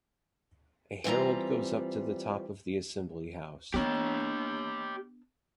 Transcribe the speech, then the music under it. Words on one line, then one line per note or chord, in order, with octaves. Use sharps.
A herald goes up to the top of the assembly-house.
E3 G3 C4 F4 A#5
B3 D4 G4 C#5